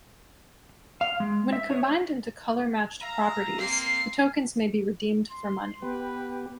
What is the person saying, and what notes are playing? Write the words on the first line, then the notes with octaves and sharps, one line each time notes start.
When combined into color-matched properties, the tokens may be redeemed for money.
F5
G#3
E5
C#5
E5 F5 A#5
A#3 C4 C7
C6
B3 G4 B4